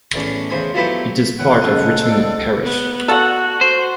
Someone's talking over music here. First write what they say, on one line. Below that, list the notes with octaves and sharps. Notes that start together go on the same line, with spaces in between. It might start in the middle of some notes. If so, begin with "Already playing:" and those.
It is part of Richmond Parish.
E2 A2 C#4 D4
E2 C#3 C5 G#5 D#6
F3 F#3 A3 B3 E4 G4
E2 E3 C#5 F#5
F#2 C#3 A4 C5 D#5
D#4 F4 D5
B3
F#4 A4 F#5
C5